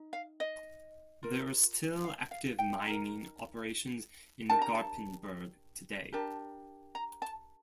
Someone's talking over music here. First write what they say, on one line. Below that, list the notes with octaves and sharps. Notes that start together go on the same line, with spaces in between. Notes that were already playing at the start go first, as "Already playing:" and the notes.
There are still active mining operations in Garpenberg today.
Already playing: D#4
F5
D#5
F4 A#4
F5
F5
G5
D#4 A#4
D4 G4 A#4 A5
A#5
A5
D4 G4 A#4 A5
A#5
A5